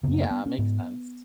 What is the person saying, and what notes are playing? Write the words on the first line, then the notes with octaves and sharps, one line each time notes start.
Yeah, makes sense.
F#2 C#3 B3
A#3
B3
C#4
G#2 B3